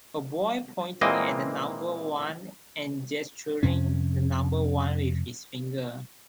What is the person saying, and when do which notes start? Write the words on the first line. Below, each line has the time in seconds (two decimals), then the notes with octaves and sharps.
A boy pointing at the number one and gesturing the number one with his finger.
1.01 A#2 E3 G#3 A#3 C4 D#5
3.63 F2 C3 C#4